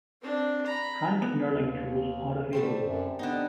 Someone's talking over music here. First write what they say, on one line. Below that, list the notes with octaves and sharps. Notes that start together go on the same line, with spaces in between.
Hand knurling tools are available.
C4 D4
A#5 B5
B3
D#2
D3 G3 A3 C4
F#2
D3 B3 D#4